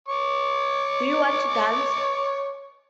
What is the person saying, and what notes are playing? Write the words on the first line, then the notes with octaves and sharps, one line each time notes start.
Do you want to dance?
C#5 C#6 D6